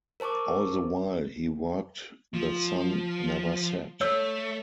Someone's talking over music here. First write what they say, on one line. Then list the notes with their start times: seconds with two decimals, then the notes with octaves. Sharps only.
All the while he worked the sun never set.
0.20 A#4 C5 A5 C#6 D6
2.34 F3
4.01 A3 C#5 E6